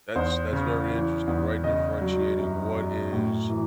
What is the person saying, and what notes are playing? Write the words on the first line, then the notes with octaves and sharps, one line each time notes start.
That's that's very interesting, right, differentiating what is
E2 C5
C#3
E3
E2
C#3 D#5
F#3
F#2
F#2
A2
E3